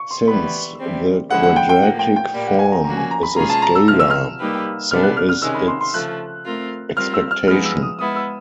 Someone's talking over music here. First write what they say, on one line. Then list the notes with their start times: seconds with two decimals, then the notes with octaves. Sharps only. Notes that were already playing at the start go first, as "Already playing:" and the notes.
Since the quadratic form is a scalar, so is its expectation.
Already playing: C#6
0.11 C6
0.28 E3 G3 B3 B5
0.79 E3 G3 C4
1.30 D3 F3 G#3 C#4 E4 F#5
1.43 F#5
1.56 G5
1.69 G5
1.82 A2 F3 A#3 F#5
1.99 G5
2.16 G5
2.34 A#2 G3 A#3
2.47 F#5
2.59 G#5
2.72 A#5
2.85 F3 A#3 C#4 F#4 A#5
2.97 G#5
3.11 A#5
3.23 B5
3.36 B2 G#3 C#4 F4 G#4 A#5
3.50 A5
3.62 A#5
3.75 E6
3.88 C3 F3 G#3 F6
4.00 E6
4.10 F6
4.39 G3 A#3 D#4 G4 B4
4.91 B2 G3 B3 D4 F6
5.03 F#6
5.17 F6
5.29 F6
5.42 C3 D#3 G#3 C#4 E6
5.55 B5
5.68 C6
5.81 C6
5.93 C#3 F3 A3 F#6
6.45 A3 C4 F4 A#4
6.96 G3 C4 F4 A#4 F6
7.14 E6
7.31 F6
7.47 F3 G#3 B3 D#4 F6
7.65 E6
7.82 D#6
7.99 G#3 B3 E4 D#6
8.16 E6